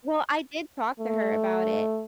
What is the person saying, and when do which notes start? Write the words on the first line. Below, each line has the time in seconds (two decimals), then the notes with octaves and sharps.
Well, I did talk to her about it,
1.00 A3